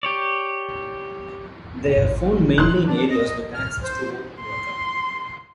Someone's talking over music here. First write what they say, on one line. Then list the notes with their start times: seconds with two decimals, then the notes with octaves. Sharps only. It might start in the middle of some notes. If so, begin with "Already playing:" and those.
They are found mainly in areas with access to open water.
0.03 G4 C#5 D5
1.96 A1
2.58 E1 C6 F#6
2.87 D4
3.10 D#5
3.54 F6
3.84 C5
4.40 C6